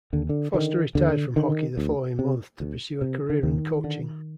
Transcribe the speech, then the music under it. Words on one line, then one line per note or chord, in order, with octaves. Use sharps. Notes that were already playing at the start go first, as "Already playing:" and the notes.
Foster retired from hockey the following month to pursue a career in coaching.
D#2 D3
D3
D3 D#3
D#2 D3
D3 D#3
D2
C3
D2
C3
D3
D#2 D#3
D3